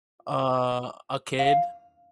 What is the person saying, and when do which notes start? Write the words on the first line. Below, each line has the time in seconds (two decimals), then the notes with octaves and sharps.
Uh, a kid,
1.39 F5